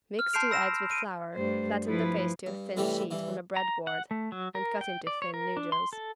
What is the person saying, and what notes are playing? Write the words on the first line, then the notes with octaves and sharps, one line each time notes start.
Mix two eggs with flour, flatten the paste to a thin sheet on a bread board and cut into thin noodles.
F6
A5 C6 G6 C7 D7 F7
B5 E6 A#6 E7
D7 D#7
G2 A3 C5
F3 E4 B4
G2
A2 C3 E3 G3 G4
G2 E3
A#5
F#5
A3
F#3
A#4
G5
D5
C#5
A#4
D4
C6
A4